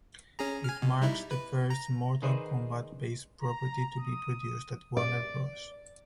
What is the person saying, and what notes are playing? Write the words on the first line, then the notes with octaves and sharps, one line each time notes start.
It marks the first "Mortal Kombat" based property to be produced at Warner Bros.
C#4 G#4 A#5
G#5 F6
B2
G3 D#4 E4
B4
A#5
D#3 D#4 G#4 B4 C5 D5
A#5
D#6
D5